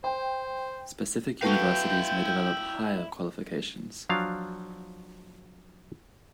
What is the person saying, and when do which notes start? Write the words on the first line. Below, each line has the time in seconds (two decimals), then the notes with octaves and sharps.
Specific universities may develop higher qualifications.
0.04 C5 G5
1.42 E4 F#4 A4 B4 F5 G5
4.09 F3 F#3 D4 F5